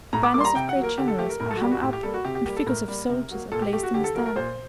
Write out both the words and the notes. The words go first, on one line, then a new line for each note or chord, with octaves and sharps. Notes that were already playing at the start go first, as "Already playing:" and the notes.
The banners of great generals are hung up, and figures of soldiers are placed on the stand.
A2 A#5
D6
G3 A#3 C6 D6
A#5
C3 G5
F#5
F#3
A#3 A#4
D3 G4
A4
A3 G4
A#4
A2 A#4
A4
F#4
G3 A#3 G4
F#4
A2 G4
G4
G3 A#3 A4
F#4
C3 G4
G4
G3 A#3 G4
A4
A2 A#4
G3 A#3
C3
F#3 A#3
A#2 A4
G4
A3 G4
F#4
D3 G4
A4
F#3 A3 A#4
A#4
A#2 C5